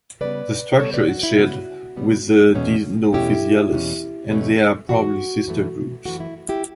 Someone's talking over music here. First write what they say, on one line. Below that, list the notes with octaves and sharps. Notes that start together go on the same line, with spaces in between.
This structure is shared with the Dinophysiales, and they are probably sister groups.
C#3 G3 B3 B4 D5
C#3 G3 B3 A4 C#5
B4 D5
F#4
E4
C#3 G3 B3 F#4
C#3 G3 B3
E2 B2 A3 C#4
E2 B2 A3 C#4 E4 G4
E2 B2 A3 C#4
E2 B2 A3 C#4
F#2 E3 A3 F#4
F#2 E3 A3
F#2 E3 A3 F#4
E4
E4 G4